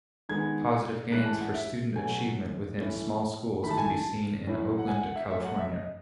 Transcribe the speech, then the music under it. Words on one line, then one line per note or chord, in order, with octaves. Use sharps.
Positive gains for student achievement within small schools can be seen in Oakland California.
D#3 G#3 B3 D#4 G#6
E3 G#3 C#4 E4 F#6
A5
F#5
E5
B2 F#3 A3 G#5
E3 A3 C#4 E4
D#3 A3 E4 B5
A5
G#5
A5
A2 F#3 C#4 E4
F#5
G#5
F#5
E5
F#3 A3 C#4 E5
F#5
E5
D#5